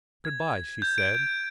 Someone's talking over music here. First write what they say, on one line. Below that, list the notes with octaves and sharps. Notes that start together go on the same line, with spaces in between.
"Good-bye," she said.
G#6
G6
D7
G6